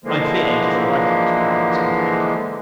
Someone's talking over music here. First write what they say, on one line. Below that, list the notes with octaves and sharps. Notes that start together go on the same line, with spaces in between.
I fear, it is the writing has brought on this complaint.
D3 E3 F3 G#3 A#3